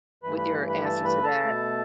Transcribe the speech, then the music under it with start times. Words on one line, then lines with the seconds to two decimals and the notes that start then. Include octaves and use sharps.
with your answers to that.
0.23 G2 E3 A3 B4 B5
0.38 B4 B5
0.69 B4 B5
0.84 A4 A5
1.04 B4 B5
1.23 A4 A5
1.44 B2 A3